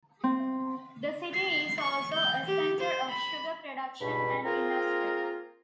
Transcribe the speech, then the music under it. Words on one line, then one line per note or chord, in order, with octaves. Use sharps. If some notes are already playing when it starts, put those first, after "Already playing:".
The city is also a centre of sugar production and industry.
C4
C7
C#6
G6
G4
C5
B5
C#2 G2 B2 B5
A#3 C4 F4 G#4 A#4